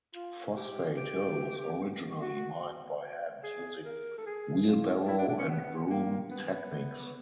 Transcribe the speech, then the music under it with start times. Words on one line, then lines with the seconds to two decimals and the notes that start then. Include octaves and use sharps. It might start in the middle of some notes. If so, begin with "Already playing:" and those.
Phosphate Hill was originally mined by hand using wheelbarrow and broom techniques.
0.15 F4
0.56 G4
0.97 G4
2.21 F#4
3.43 G#4
3.85 A#4
4.18 A4
4.26 G#4
4.67 F4
5.08 E4
5.18 D4
5.29 D4
5.39 C#4
5.49 B3
5.90 A#3
6.31 B3